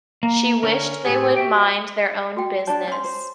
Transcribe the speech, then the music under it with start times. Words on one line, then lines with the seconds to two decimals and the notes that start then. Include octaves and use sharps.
She wished they would mind their own business.
0.23 A#3
0.63 D3 C#4 A#4
1.05 A2 A3 G4 G#4
1.36 F#4 E5 G5
2.37 F#4 G5
2.67 D4 C#5 D5 A5
2.88 C#4 C#5 C6
3.04 C5